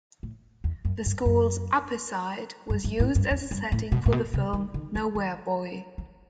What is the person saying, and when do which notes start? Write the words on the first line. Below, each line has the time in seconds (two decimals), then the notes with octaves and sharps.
The school's Upper Site was used as a setting for the film "Nowhere Boy".
0.23 A2
0.64 E2
0.85 F#2
1.06 G2
1.25 F#2
2.70 G2
2.84 G2
3.00 A2
3.15 G2
3.31 E2
3.51 G2
3.72 A2
3.92 B2
4.06 A2
4.12 B2
4.34 C3
4.53 D#3
4.74 D#3
4.95 E3
5.15 D#3
5.98 E3